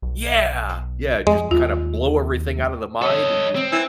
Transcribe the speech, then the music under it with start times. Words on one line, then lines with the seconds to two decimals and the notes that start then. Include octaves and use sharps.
Yeah. Yeah, just, kinda, blow everything out of the mind, and, just,
0.02 B1
1.27 F2 G#3
1.51 D#2 F4
3.02 A4 C#5 D#5
3.56 C4
3.72 E3